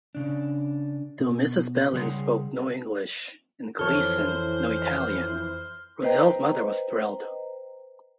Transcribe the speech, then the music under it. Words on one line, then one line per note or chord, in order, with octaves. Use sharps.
Though Mrs. Belline spoke no English and Gleason no Italian, Roselle's mother was thrilled.
C#3 D4
B2
C#3 G3 G#4 E5 F#5 C6
F2 E3 A4 C5 C#5 F6
B4 C5 D#5 G5 A#5